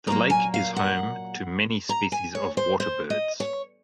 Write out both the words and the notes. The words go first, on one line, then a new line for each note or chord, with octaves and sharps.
The lake is home to many species of waterbirds.
A#2 F#3 A#3 A#5
G#5
F5
F#5
A#5
G#5
C#5
C5
C5
D#5
C#5